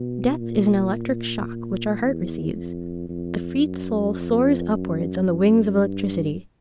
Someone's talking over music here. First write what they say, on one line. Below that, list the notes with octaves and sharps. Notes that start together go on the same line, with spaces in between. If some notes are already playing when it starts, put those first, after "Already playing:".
Death is an electric shock which our heart receives; the freed soul soars upwards on the wings of electricity.
Already playing: B2
A#2
E2
F2
F2
F#2
F2
F#2
F#2
G2